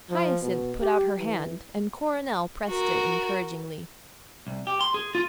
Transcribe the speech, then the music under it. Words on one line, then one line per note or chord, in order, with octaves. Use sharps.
Hyacinth put out her hand, and Coronel pressed it encouragingly.
F3
B2
G4
E3
F#4 A#4
C2
G4
C6
G#4
F4